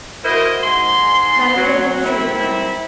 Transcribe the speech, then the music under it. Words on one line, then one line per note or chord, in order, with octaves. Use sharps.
That is the whole truth, friend.
E4 F#4 A#4 C5 D#5
G#2 C6
F#3
D#3 C4 E4